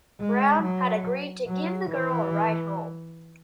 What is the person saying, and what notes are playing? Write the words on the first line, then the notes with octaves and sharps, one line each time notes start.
Brown had agreed to give the girl a ride home.
G#3
F#3
F#3
E3